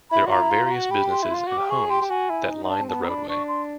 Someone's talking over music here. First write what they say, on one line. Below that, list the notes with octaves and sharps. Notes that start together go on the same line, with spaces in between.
There are various businesses and homes that line the roadway.
E4 B5
F#4
F4 A#5
E4
F4
F4
F#4
G4 B5
C6
E4
F4 C6
F#4 D6
G4
G#4 C#6
G4 C6
G4
F#4 G#5
E4
D#4
D#4
D4 A5
C4
B3 A5
A#5
D4 B5
D4 C#6
C6